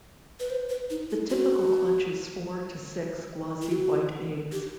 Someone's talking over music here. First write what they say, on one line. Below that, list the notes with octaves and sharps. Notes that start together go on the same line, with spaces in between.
The typical clutch is four to six glossy white eggs.
B4
C5
B4
D#4
E4
F#4
E4
F#4
G4